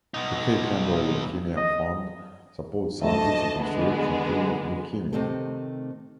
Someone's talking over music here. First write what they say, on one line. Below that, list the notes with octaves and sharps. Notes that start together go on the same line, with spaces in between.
The Kay Kendall Leukaemia Fund supports scientific research into leukaemia.
B2 D#4
D#5
D2 A3 D#5 E5 A5
D3 G#3 B3
C3 D#3 A3 C4 G4 A4